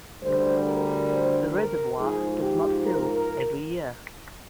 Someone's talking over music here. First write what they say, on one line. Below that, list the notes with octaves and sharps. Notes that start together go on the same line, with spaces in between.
The reservoir does not fill every year.
D2 D3 G3 C5
A#4
C5
A#4
G#2 F3 G#4
G4
A#4
A#4